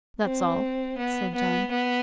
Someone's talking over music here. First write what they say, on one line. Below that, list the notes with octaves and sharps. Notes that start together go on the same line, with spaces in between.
"That's all," said John.
C4
B3
B3
B3